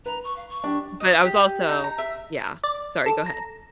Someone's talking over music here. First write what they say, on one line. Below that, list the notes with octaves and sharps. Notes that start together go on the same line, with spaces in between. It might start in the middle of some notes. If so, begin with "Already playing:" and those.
But I was also Yeah, sorry, go ahead.
B4 A#5
C#6
F5
C#6
D4 G4
D#5
G4
D#4
A#5
E5
D5
A4
A#5